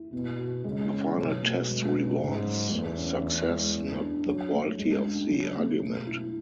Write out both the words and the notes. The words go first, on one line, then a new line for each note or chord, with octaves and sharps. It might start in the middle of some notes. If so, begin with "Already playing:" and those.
The final test rewards success, not the quality of the argument.
Already playing: E4
B2 B3
F#4
C#3 G#3
C#4
B2 F#3
A3
G#3
C#4
G#2 C#3
F#3
E2 A3
C#4
E3
G#3
B3
D4
F#3
A3
F#2 G#3
D4
C#3 F#3
A3
B2 A3
E4